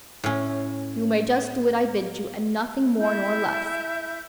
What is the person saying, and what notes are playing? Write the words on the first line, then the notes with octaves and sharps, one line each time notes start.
"You may just do what I bid you, and nothing more nor less."
A2 C#4
E4 E5 G6